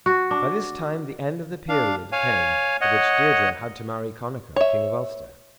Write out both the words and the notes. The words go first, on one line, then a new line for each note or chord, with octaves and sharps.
By this time the end of the period came at which Deirdre had to marry Connachar, king of Ulster.
F#4
D4
D4 F5
C#5 F5 G#5
C#5 D#5 F#5
C#5 E5